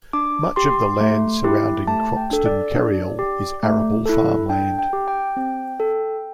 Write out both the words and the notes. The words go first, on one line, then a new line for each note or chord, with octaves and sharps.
Much of the land surrounding Croxton Kerrial is arable farmland.
D4 D6
G4 C6
A3
E4 G4
A3 A5
G5
D4 A4
D5
D4
G4
A3
E4 A4
D4 G5
G5
G4
G5
C4
A4